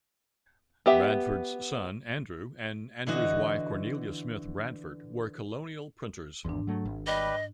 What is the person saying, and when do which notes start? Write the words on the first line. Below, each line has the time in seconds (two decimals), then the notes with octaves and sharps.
Bradford's son, Andrew, and Andrew's wife Cornelia Smith Bradford were colonial printers.
0.86 B3 G4 E5
3.07 D3 E3 F#4 D#5
6.45 G#1 E2 G#2 D4
6.67 F#3 A3
6.85 G#1
7.07 G3 G4 B4 D#5